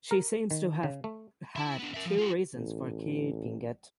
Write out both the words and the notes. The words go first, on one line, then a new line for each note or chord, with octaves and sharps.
She seems to have had two reasons for keeping it.
A#4
D#3
C#3
A3
E4 E5
B3 D4
A#4 E5
F3
F4 G4
A1